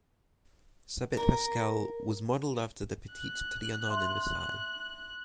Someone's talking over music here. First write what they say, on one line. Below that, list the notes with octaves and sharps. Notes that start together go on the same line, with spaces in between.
Sabet Pascal was modeled after the Petit Trianon in Versailles.
A#4
F#6
E5 C6